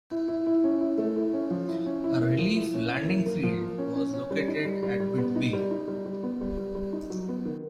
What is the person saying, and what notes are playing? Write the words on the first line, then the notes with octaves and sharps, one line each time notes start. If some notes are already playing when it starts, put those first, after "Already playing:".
A relief landing field was located at Whitby.
E4
E4
E4
C#4
E4
A3
E4
C#4
F3
E4
C#4
E4
A#3
F3
E4
C#4
E4
A#3
A#3
F3
A#3
C#4
C#4
C#4
G3
D#4
G3
G3
G3
B3
D#4
G3
D#4
G3
G3
B3
G3
G3
G3
D#4
F#3
B3
D#3